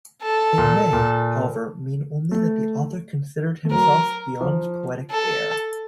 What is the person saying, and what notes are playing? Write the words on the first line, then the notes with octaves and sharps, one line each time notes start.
It may, however, mean only that the author considered himself Bion's poetic heir.
A4
A#2
A#2
A3
A3
F#3 A#4
F3
A4